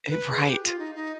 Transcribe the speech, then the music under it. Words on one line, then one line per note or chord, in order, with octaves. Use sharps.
It right.
B4
G#4
G4
F4
D#4
D#4